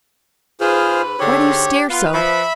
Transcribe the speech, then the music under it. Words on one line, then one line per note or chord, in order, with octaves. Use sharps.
Why do you stare so?
G#2 F4 G#4 B4 C5 F6
G#2 D3 G4 C#5
B3 F4 B4
F3 E5 B5